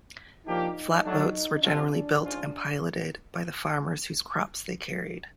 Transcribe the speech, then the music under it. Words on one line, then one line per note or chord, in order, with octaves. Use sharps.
Flatboats were generally built and piloted by the farmers whose crops they carried.
F3 A#3 D4 D#4 G4
F#3 A3 D4
C3 F3 A3 C#4 D4 F4
G#2 F3 G#3 C#4 F4